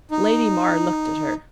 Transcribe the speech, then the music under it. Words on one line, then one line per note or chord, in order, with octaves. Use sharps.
Lady Mar looked at her.
D#4